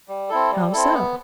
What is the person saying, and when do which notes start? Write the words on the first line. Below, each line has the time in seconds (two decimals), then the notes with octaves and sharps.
"How so?"
0.08 G3
0.29 C4 E4 A4
0.51 G3
0.72 C4 E4 A4
0.94 B3